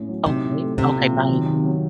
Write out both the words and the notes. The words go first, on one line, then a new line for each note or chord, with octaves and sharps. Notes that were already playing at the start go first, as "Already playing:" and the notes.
okay, okay, by
Already playing: A2 C#4
F#3
C3 D#4
A2
A3
C3 C4
A#2
F#3
D#3
D#3
F#3